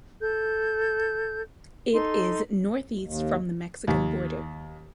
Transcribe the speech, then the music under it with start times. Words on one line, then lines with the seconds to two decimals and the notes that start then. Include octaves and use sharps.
It is northeast from the Mexican border.
0.20 A4 G6
1.92 D#4 A4 C6
2.99 D#2
3.87 D#2